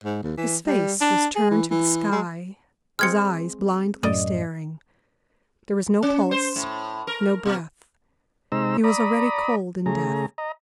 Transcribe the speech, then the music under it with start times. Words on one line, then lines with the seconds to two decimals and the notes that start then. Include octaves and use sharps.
His face was turned to the sky, his eyes blindly staring; there was no pulse, no breath; he was already cold in death.
0.04 G#2
0.23 D#2
0.37 E3
0.67 G3
1.01 D4
1.35 G#4
1.51 E3
1.71 E3
2.12 G#3
2.99 G#3 C4 F6 G#6 C#7
4.03 F#2 A2 D5 D#5
6.03 C#4
6.31 C5
6.56 A2
7.07 A#4
7.46 B2
8.52 C3 G#3 D#4 C5 A#5 E6
8.84 D5 A#5 B5 D#6
9.86 C#3 A3 G#4 A#5
10.38 D#5 A#5